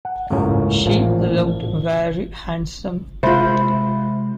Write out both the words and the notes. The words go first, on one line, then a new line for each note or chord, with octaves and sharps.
She looked very handsome.
F#5
G#1 C#2 F#2 A2 A#3 C#4
A1 A#2 F3
C3 G#3 F4 C5 E5 B5